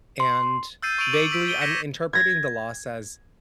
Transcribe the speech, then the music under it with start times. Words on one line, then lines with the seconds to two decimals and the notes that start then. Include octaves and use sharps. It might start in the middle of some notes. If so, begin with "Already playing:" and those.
And vaguely, I'm interpreting the loss as
0.20 C6
0.82 E6 F6 G6 A6 C7 D#7
0.98 C#6 E6 D7 D#7 F7 F#7
1.13 C#6 D6 D7 F#7
1.31 E6 B6 D7
1.47 D7 D#7 G7
1.61 G#6 A#6 B6 C#7 E7
2.13 G#6 A#6